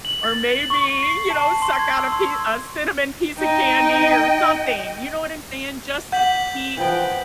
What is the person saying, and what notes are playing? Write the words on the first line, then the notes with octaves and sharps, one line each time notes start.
or maybe, you know, suck out a pie a cinnamon piece of candy or something, you know what I'm saying? Just to keep
F#7
A6
F#7
C#6
C7
A5
C6
G#6
E6
C6
D#4 D#5 G5
D5 F#5 G6 B6 F#7
E3 F3 B3 G5